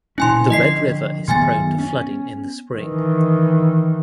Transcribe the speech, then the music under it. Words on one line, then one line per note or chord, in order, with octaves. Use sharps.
The Red River is prone to flooding in the spring.
A#2 C#4 E4 G#5 C6
D3 F3 D#5 B6 C7
F#2 D#3 B3 G#5 A6
C#4
D#3 E3